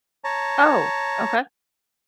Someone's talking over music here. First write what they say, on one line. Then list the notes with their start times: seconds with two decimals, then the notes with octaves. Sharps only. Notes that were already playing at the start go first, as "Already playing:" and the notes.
Oh, okay.
0.24 C#5 A5 A#5